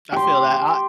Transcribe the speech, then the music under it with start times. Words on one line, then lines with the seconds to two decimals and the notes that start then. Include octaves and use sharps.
I feel that. I
0.12 G4 C6